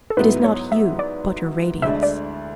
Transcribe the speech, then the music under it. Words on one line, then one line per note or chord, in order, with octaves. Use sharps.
It is not you, but your radiance.
A4
G#2 F#3 B3 E4 B4
C#5
E5
D5
D2 D3 G#3 D4 E5
D5